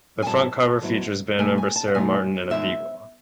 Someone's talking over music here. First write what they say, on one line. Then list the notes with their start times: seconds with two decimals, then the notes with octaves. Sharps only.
The front cover features band member Sarah Martin and a beagle.
0.22 G#5
0.27 G#2 F#3 B3 E4 A5
0.82 G#2 F#3 B3 E4
1.38 B2 A3 D#4 G#5
1.58 G#5
1.76 A5
1.88 F#5
1.94 B2 A3 D#4 G#5
2.50 E2 D#3 G#3 D#4 E5